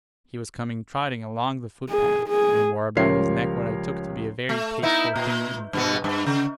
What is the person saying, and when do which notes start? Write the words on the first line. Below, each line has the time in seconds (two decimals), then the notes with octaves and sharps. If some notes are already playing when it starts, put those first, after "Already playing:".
He was coming trotting along the foot-path, and wore about his neck what I took to be a very tasteful thing in cravats.
1.89 G#4
2.29 G#4
2.97 C#2 F3 G3 A#4 C#5 C7
4.49 A3
4.82 B3 D#4 E4
5.16 A#2
5.73 G2 B2 B3
6.04 G2
6.27 C#3